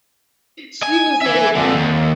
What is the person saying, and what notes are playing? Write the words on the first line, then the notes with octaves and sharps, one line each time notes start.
she was like,
G#5
E5 G#5
F2 D3
D#2